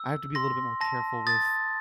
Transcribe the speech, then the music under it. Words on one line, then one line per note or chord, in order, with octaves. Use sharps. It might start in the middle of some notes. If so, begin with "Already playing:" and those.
I have to be a little bit more careful with
Already playing: E6
C6 A#6
A5 A#6
D#6 A6